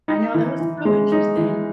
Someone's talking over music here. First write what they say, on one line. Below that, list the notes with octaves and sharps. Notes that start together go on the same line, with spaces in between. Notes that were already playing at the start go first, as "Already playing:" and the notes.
I know that was so interesting.
D#4
E3
E3
G#3
D#4
E3